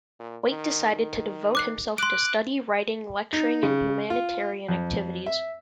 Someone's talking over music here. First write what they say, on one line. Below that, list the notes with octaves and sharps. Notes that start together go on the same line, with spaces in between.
Waite decided to devote himself to study, writing, lecturing and humanitarian activities.
A#2
D#3
D#3
D6 F#6 C7
C6 D6 F#6 D7
D#4
C#3
F4
F2
E5